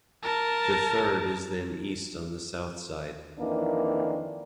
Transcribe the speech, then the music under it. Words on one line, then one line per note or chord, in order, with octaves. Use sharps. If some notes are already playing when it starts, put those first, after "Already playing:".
The third is then east on the south side.
A#4 A5
F2 D#3 E3 A#3 D4 D5